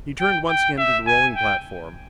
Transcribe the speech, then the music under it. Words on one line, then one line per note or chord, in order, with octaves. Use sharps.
He turned once again to the rolling platform.
G5
G5
E5
G#5
G5